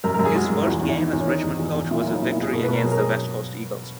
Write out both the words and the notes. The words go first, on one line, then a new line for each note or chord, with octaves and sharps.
His first game as Richmond coach was a victory against the West Coast Eagles.
F#2 A#4
A#4
F#2
G#4
G#3 F#4
F#2
E4
E2 F#4
E2
E4
D#3 D#4
E2
C#4
D#3 D#4
E2
E2
E2
A#2 E4
E4
F#3
D#4
A#2 E4
E4
A#2 G#4
B2 A#4
B4
B2 A#4
F#3 G#4
A#4
F#3 G#4